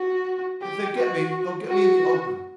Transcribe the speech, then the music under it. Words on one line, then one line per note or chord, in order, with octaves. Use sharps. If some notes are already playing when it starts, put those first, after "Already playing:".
If they get me, they'll get me in the open.
Already playing: F#4
G4
F#4
F#4